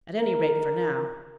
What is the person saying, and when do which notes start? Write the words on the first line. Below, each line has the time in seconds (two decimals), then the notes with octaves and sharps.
"At any rate, for now."
0.19 A#4